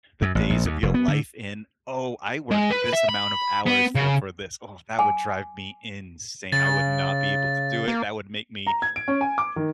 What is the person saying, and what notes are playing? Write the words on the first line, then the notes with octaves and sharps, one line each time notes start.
the days of your life in "Oh, I worked this amount of hours for for this." Oh, that would drive me insane, I would not be able to do it, that would make me
F#2
A1
A#1
D#2
F1
B3
D3
G#3
B4
E5
B5
B3
C#3
G#5 D6
C#3 A6
A#3
A#5
G#6
D7
C#4
G#5
D6
D#3